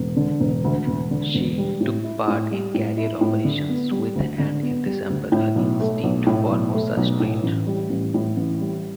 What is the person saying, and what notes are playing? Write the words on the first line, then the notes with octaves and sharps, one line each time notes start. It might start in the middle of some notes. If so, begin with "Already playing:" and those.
She took part in carrier operations with and in December again steamed Formosa Strait.
Already playing: E1
D3
E1
D2
E1
D3
E1
G3
A2
E4
A2
G3
A2
E4
A2
D3
B3
G3
D2
D3
B3
G3
D2
A2
B1
A3
B1
A2
B1
A3
B1
A2
A1
G3
A1
A2
A1
G3